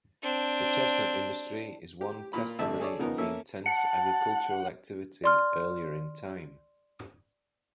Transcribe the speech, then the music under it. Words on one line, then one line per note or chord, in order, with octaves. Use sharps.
The chestnut industry is one testimony of the intense agricultural activity earlier in time.
C4 D4
G4
A#2 A#3 F4 B5
A1 F2 D3 E5 A5
G#4 A4 C#5 D5
C#3 F3 B3 D#4 A#4
A#3 C#4 A4 E5
F#5 A5
D5 C6 F6